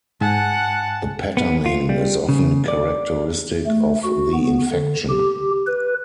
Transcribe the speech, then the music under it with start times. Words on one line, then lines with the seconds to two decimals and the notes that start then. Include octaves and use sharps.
The patterning is often characteristic of the infection.
0.21 G#2 F#5 G#5 A5
1.37 B3
1.66 F4
1.89 G3
2.29 C#3
2.68 D5
3.67 A3
4.04 F#4
4.34 B3
4.73 D3
5.10 G4
5.67 B4